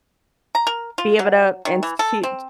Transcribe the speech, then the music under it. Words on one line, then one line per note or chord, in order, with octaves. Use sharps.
be able to institute
A#5
A#4
F4
F#3
D#3
E3
A4
C4